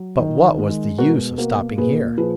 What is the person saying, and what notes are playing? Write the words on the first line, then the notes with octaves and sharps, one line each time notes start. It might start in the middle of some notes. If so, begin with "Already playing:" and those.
But what was the use of stopping here?
Already playing: F#3
D#3
G#3
B2 F#4 A#4
A#3 F#4 A#4
A#2 G#4 B4
F3 G#4 B4